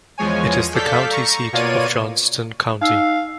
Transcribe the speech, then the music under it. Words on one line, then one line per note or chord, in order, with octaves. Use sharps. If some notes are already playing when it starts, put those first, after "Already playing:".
It is the county seat of Johnston County.
E2 F3 G#3 C#5 G#5
A4 D5 F5 G6 B6
A#5 C#6
B2 A#3 F4 C#5 D5 D#7
D#4 F5 E6 C7